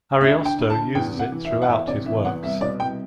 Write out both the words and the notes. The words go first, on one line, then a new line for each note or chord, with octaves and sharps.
Ariosto uses it throughout his works.
D2 E5
D3
G5
D2
A5
D3
E2 G5
C3
F#5
E3
E5
E2
F#5
E2 E5
C3 D5
E3 E5
E2 F#5
C2 E5
B2 D5
C2 G5